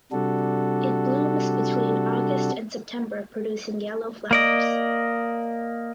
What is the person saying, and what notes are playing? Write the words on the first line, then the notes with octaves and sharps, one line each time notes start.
It blooms between August and September producing yellow flowers.
C3 G3 D4 F#4 A4
A#3 D5 D#5